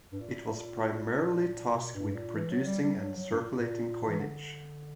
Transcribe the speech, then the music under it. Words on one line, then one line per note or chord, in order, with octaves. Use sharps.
It was primarily tasked with producing and circulating coinage.
G2
A#2
A#2
B2
G2
A#2
E3
F#3
G3
G3
F#3
F#3
G2
A#2
A#2
E3
D3